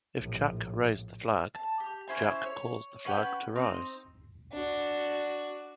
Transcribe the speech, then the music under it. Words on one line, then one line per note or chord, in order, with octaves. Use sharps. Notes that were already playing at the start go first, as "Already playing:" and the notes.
If Jack raised the flag, Jack caused the flag to rise.
A#1 A2
A5
G4
C#4 E4 C5 G#5
C#5
C#4 B4 F#5 G5
C4 D#4
D4 F#4